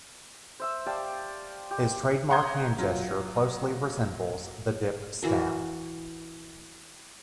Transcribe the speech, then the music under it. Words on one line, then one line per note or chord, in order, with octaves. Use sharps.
His trademark hand gesture closely resembles the "dip snap".
C5 E5 E6
G4 D5 F5 A5
G4
F#5 A#5 C6 D#6 G6 G#6
F#3 F4
E3 F#4 A#4